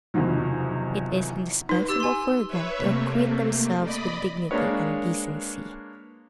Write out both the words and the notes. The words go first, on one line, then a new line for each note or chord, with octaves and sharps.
It is indispensable for them to acquit themselves with dignity and decency.
F#1 E2 C3 D#3 F3 F#3
D#4 B4
G4 E6 A6
G#5 C6
B4 C#5 E5
C3 A3 A#3
D5 D#5 B5
G#3 A#3 D4 B4 C#5